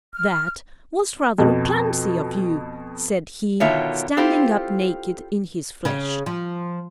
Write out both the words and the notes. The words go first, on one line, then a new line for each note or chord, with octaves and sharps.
'That was rather clumsy of you,' said he, standing up naked in his flesh.
F6
F2 B2
B2 D3 D#3 F4 C#5 E5
C4 E4 F4 G4 A4 C5
C#3
F3